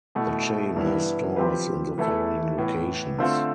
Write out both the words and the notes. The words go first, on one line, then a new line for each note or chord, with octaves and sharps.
The chain has stores in the following locations.
B2 A3 E4
G2 E3 B3 E4 B4
F3 C4 G4 B4
E3 A3 E4 A4
A2 E3 B3
D3 A3 C4 F4 A4